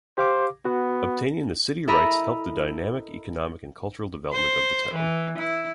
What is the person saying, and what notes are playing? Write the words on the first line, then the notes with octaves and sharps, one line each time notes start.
Obtaining the city rights helped the dynamic economic and cultural development of the town.
G4 C5 F5 D6
B3 F#4
E4 A4 A#4 D#5 A#5 B5
C5
E3
E4